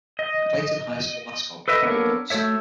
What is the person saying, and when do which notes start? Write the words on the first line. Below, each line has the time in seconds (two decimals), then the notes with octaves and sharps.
The Clayton High School mascot was Bulldogs.
0.19 D#5
1.68 A4 B4 D#5 E5
1.82 A#3 B3 D4 A4 A#4 C#5
2.30 A3 F#4 A4 C#5 E5